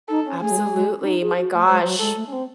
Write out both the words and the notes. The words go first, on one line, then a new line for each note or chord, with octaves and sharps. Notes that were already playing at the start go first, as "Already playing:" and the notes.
Absolutely, my gosh.
D#4 A4
C#4
A3 G#4
F#3
G#3
G#3
C#4
D#4
G#4
F#4
A3
G#3 C5
F#3
G#3 A4
A3
C#4
C4